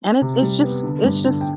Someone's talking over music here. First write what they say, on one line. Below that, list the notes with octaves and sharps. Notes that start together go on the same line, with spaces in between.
and it's just it's just
C3
G3
B3
D3
G2
D3
G5